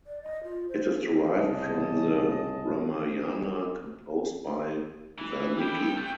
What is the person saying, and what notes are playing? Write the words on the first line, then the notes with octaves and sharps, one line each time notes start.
It is derived from the Ramayana composed by Valmiki.
D5
D#5
F4
C5
C2 A2 C#3 D#5 A5
E3
G3 E4 G5
F3 A4
A3 F#4